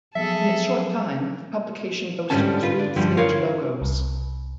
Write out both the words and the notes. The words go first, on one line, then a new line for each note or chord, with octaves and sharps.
In its short time, the publication boasted three distinct logos.
F3 F#3 B3 G#4 A4 E5
G#2 D3 E3 G3 C#4 A5
F4 B4
D4
G2 D3 F3 G3
F4 A#4 C#5 F5
C2